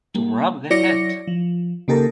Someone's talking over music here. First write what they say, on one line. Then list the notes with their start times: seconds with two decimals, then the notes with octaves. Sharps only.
To wrap the head.
0.15 G3 A#3
0.70 F#3 E4 C#5 D5 A#6 C#7
1.27 F3
1.88 C#3 A#3 D#4 G4 A4 A#4